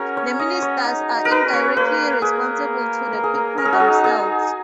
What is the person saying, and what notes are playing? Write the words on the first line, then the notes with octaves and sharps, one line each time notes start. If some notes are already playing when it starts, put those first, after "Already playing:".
The ministers are indirectly responsible to the people themselves.
Already playing: C#4 F#4 G#4 A#4
C#5
D#5
C#5
D#4
D#4
A#4
B4
C#4
C#5
A#3 B4
A#3 G#4
A#4
G#4
A#4
C#4 A#4
G#4
F#4
G#4
D#4
G#4
D#4